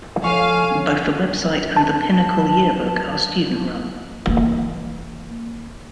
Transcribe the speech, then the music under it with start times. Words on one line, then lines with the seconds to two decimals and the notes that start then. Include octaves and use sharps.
Both the website and the "Pinnacle" yearbook are student-run.
0.24 F3 A4 C#5 F5 G#5 C#6
1.77 A5
4.27 E3 A#3